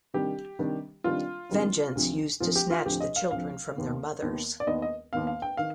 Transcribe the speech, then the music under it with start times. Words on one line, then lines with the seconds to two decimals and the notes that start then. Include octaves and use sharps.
Vengeance used to snatch the children from their mothers.
0.14 C3 D#3 G3 D4 G4
0.59 C3 D#3 G3 D4
1.04 C3 D#3 G3 D4 F4
1.50 C3 D#3 G3 D4
1.95 D2 C3 F3
2.40 D2 C3 F3 F4
2.56 G4
2.71 F4
2.86 D2 C3 F3 G4
3.00 D#5
3.16 F5
3.31 D2 C3 F3 F5
3.76 D#2 D#3 B3
4.22 D#2 D#3 B3
4.60 D5
4.67 D#2 D#3 B3 D#5
4.82 D#5
5.13 D#2 D#3 B3 F5
5.27 F5
5.42 G5
5.57 D#3 F5